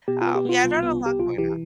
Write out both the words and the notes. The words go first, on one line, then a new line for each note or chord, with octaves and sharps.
um, yeah, I've got a lot going on.
B2 G4
F4
B3
G4
B3 F4
C2
B3
C2 G4
B1 F4
E3 G4